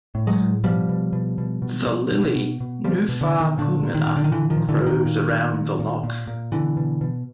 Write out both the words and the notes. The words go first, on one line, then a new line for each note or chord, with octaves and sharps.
The lilly Nuphar pumila grows around the loch.
A2
F#3 G#3
A2
B2 F3 G3
B2
B2
B2
B2
B2
B2
B2
B2
B2 F3 G3
B2
D3
B2
D#3
A#2 D3
A#2
D#3
A#2
D3
D#3
A#2 D3 E3
D#3 F3
A#2
D3 E3
A#2
D#3
A#2
A#2
A#2
A#2
A#2
A#2
B2 D3 E3
B2
B2